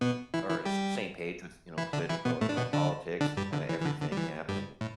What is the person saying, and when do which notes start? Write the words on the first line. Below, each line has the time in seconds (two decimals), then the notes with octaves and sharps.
or s same page with, you know, political you know, politics and kinda everything happening.
0.01 B2 B3
0.34 E3 E4
0.49 E3 E4
0.65 G3 G4
1.77 E3 E4
1.93 D3 D4
2.09 E3 E4
2.25 B2 B3
2.41 A2 A3
2.49 D4
2.57 B2 B3
2.73 D3 D4
3.21 D3 D4
3.37 G2 G3
3.53 D3
3.69 E3
3.80 E3
3.85 D3
4.01 D3
4.12 G3
4.17 E3
4.48 G2 G3
4.81 A2